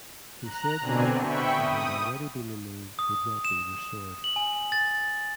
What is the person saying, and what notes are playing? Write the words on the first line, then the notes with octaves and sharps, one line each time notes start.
He said that equipment that had already been removed would not be restored.
A#5 F#6
B2 D3 C4 D4 G#5
E5 G5 B5 C#6
D#6
D#6
E7
F#7
G#5
A6